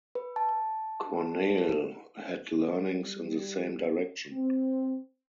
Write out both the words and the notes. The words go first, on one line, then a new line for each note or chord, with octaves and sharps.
Corneille had leanings in the same direction.
B4
A5
G3
C4